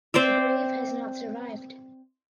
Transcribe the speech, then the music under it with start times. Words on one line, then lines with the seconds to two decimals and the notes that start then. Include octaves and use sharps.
The grave has not survived.
0.14 C4 C5 D5 E5